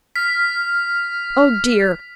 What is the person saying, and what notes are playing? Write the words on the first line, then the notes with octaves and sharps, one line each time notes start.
Oh dear!
F6 B6